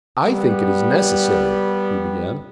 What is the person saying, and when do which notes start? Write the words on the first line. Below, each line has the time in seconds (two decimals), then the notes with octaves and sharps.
"I think it is necessary," he began.
0.24 G3 B3